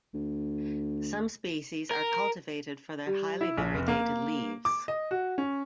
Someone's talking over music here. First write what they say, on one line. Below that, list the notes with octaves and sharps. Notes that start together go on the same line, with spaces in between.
Some species are cultivated for their highly variegated leaves.
D2
A#4
G3
E4
A#1
F1
A#3
D6
D#5
F#4
C#4